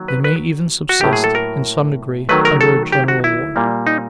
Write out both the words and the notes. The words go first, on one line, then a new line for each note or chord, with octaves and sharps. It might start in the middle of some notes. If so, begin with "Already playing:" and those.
They may even subsist, in some degree, under a general war.
Already playing: D#3 F#3 A#3
B4
B4
F#4
A2 F#3 A#3 G4
G#4
A4
A#4
D#3 F#3 A3 B4
A#4
A4
G4
F#4
E4
A#2 G3 A#3
D#4